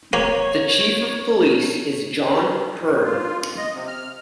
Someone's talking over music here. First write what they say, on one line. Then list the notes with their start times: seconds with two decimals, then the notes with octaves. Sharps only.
The Chief of Police is John Hearn.
0.13 A#3 C#5
3.04 F4
3.57 D#5
3.74 C3
3.87 F6